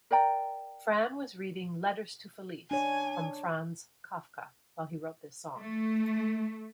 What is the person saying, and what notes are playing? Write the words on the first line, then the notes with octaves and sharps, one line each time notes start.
Fran was reading Letters to Felice from Franz Kafka while he wrote this song.
A#4 D5 G5 A#5
D4 C#5 G#5
A3